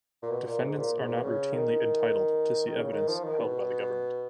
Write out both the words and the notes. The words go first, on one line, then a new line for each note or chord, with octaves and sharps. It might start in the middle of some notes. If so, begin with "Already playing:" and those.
Defendants are not routinely entitled to see evidence held by the government.
A#2
B2
A#2
G#2
A#2
G#2
A#2
B2
C#3
D#3
D#3
C#3
D#3
F3
D#3
B2